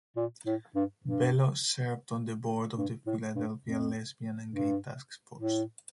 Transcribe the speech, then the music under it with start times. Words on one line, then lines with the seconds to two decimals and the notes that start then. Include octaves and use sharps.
Bello served on the board of the Philadelphia Lesbian and Gay Task Force.
0.16 A#2
0.46 A2
0.75 G2
1.04 G2
2.78 G2
3.06 A2
3.35 G2
3.63 F2
4.51 G2
5.37 A2